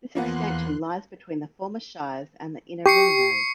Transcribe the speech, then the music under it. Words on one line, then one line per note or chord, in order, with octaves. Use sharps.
This extension lies between the former Shires and the inner ring-road.
E2 F3 A#3 B3 C6 F#6
G4 C#6 C7 C#7